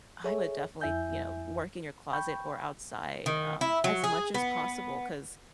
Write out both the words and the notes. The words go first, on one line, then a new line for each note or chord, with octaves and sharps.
I would definitely, you know, work in your closet or outside, um, as much as possible, 'cause
G#4 A4 C#5 E5
F2 E4 E5 G#5 G6
G5 B5 C#6 G6
D#3
E4
F#3
G#4
B3